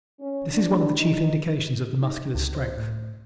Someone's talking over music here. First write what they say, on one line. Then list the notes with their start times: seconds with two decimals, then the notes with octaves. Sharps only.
This is one of the chief indications of the Muscular's strength.
0.21 C#4
0.53 D4
0.98 D#4
2.02 D#4
2.35 C#2
2.55 C5
2.77 A2